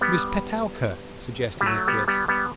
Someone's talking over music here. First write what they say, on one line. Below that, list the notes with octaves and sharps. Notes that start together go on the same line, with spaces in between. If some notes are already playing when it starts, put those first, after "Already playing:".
'Miss Petowker,' suggested Nicholas.
G3 B3
G3
F#3 A3
G3 B3
G3 B3
G3 B3